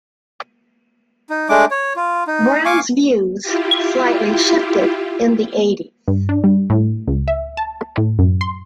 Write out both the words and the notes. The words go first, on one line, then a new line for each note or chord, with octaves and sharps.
Brown's views slightly shifted in the eighties.
D#4
G#3 A3 D4 D6
C#5
F4
D#4
F5 G#5 C#6 D6
E4 F4 G4
G2
D4
G3
A2
C#2
E5
A5
A2
F#2
C6